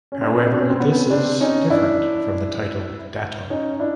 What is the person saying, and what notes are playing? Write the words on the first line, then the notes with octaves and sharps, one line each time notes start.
However, this is different from the title "Dato'".
C#4
C4 D4
D4
C#4
C4
B3 C#4
C4 D4
C#4 D#4
D4 E4
C#4 D#4
D4 E4